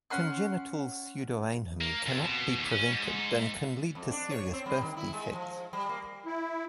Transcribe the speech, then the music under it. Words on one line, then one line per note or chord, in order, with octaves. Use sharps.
Congenital pseudoainhum cannot be prevented and can lead to serious birth defects.
C#4 F#5 C6 F#6
A#3
F2
B2
D#2
C#4
G#2
F2
D4
C#5
C4
G3
D#3
E4
G#3
F3
G3
A#3
E4